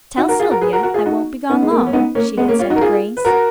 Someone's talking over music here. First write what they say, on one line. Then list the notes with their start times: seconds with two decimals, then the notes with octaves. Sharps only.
"Tell Sylvia I won't be gone long," she had said to Grace.
0.17 D#4 F#4
0.28 F#4 A#4
0.40 F4 G#4
0.51 F#4 A#4
0.61 G#4 B4
0.73 F#4 A#4
0.83 F#4 A#4
0.94 F4 G#4
1.06 D#4 F#4
1.49 B3 D#4
1.62 G#3
1.70 A#3
1.78 B3
1.86 C#4
1.93 B3 D#4
2.15 A#3 C#4
2.37 G#3 B3
2.48 A#3 C#4
2.59 C#4 F4
2.70 D#4 F#4
2.76 A#4
2.81 F4 G#4
3.17 B4
3.25 F#4 A#4